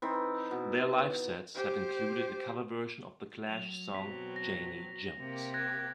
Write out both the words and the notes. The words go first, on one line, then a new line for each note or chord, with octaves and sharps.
Their live sets have included a cover version of The Clash's song, "Janie Jones".
E3 C4 D#4
B2
G4 C5
F#3 F7
B2 F#3 C4 B6
A#6
C3 A#3 G4
F#6 G#6 A#6